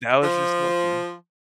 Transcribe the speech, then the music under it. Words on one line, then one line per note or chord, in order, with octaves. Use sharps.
That was just culture.
F3